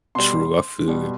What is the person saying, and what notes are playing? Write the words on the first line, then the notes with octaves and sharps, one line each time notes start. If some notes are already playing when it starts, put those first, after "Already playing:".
True. I feel it
B2 G3 C6
B2 G3